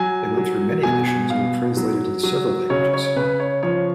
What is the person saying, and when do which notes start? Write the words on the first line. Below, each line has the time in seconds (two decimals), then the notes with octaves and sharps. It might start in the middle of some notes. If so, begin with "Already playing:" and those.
They went through many editions and were translated into several languages.
Already playing: F#3 G#5
0.37 F#3
0.83 B2 G#5
1.07 G#5
1.30 B2 F5
1.77 F#3
2.23 F#3
2.70 C#3 C#5
2.94 C#5
3.16 C#3 B4
3.40 C#5
3.63 F3 C#5